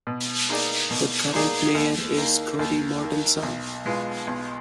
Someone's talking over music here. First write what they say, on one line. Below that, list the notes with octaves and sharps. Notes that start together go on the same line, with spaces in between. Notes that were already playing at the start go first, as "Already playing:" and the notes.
The current mayor is Cody Mortensen.
B2
A#3 D#4 G#4 D5
B2
A#3 D#4 G#4 D5
D#2
D#3 A#3
D#2
D#3 A#3
B1
B2 G#3 B3 F4
B1